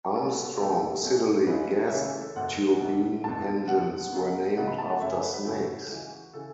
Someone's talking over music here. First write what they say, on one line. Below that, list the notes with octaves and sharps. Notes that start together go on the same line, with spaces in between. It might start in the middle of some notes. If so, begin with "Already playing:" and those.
Armstrong Siddeley gas turbine engines were named after snakes.
B1 B2 A3 C#4 A4
F#4
A4
B1 B2 A3 C#4
B1 B2 A3 C#4
C#2 C#3 E3 A3 C#4 B4
E5
C#2 C#3 E3 A3 C#4 C#5
A4
A4
F#1 E2 B2 F#5
F#1 E2 B2
F#1 E2 B2 A5
F#1 E2 B2 F#5
C#2 C#3 F#3 B3
C#2 C#3 F#3 B3 F#5
B5
A5
F#5
F#2 C#3 A3 C#4 E5
C#5
B4
B4
F#2 C#3 A3 C#4 F#4
C#2 C#3 E3
C#3 E3 A4